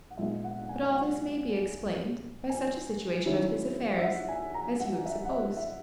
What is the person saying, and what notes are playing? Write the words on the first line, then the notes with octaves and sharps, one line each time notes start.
But all this may be explained by such a situation of his affairs as you have supposed.
F#5
A#2 G#3 B3 D#4 E5
F#5
F#5
G#5
G#5
F#5
G#5
D#3 F#3 C#4 E4
E5
F#5
G#5
A#5
F#5
E5
F#5
E5
E5